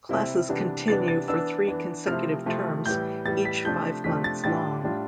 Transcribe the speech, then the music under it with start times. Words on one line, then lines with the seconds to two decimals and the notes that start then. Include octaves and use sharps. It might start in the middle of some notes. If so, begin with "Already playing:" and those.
Classes continue for three consecutive terms, each five months long.
0.09 C3 G3 C4 E4
0.49 C3 E3 G3 B3 D4
0.88 C3 E3 G3 B3 D4 A6
1.08 A6
1.28 E3 B3 D4 E6
1.67 E3 B3 D4
2.07 C3 F3 A3 C4 E4 F6
2.46 C3 F3 A3 C4 E4
2.86 A2 E3 G3 G6
3.25 A2 E3 G3 A6
3.45 B6
3.65 C3 F3 A3 D4 G6
4.04 C3 F3 A3 D4 B6
4.24 A6
4.44 A2 G3 D4 F4 A6
4.84 A2 G3 D4 F4